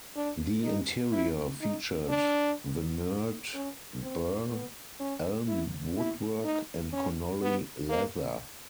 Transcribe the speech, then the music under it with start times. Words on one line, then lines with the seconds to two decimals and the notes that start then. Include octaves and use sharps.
The interior featured veneered burr elm woodwork and Connolly leather.
0.16 D4
0.64 D#4
1.13 E4
1.61 D#4
2.09 D4
3.54 C#4
4.03 C4
4.51 B3
5.00 C#4
5.48 E4
5.96 E4
6.44 D#4
6.93 C#4
7.42 B3
7.89 A#3